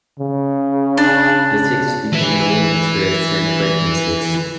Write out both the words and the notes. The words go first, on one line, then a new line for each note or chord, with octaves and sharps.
The six became known as the "San Quentin Six".
C#3
D4
E3 E4